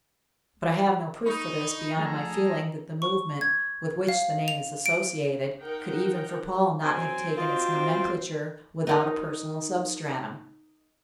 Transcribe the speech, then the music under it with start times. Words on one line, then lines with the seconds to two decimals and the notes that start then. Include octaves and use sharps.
But I have no proof for this beyond my feeling that the movement with which the name is associated could even for Paul not have taken its nomenclature without a personal substratum.
1.26 D#4 B5 C#6
1.97 F3 A3 G#4 A4 A#5
3.02 C#6
3.41 G#6
4.09 F5
4.48 F7
4.86 D7
5.61 D#4 A#4 F#5 G5
6.84 F#3 C4 G#5
7.37 F4 F#4 D#5
8.87 D#4 A#4 D#5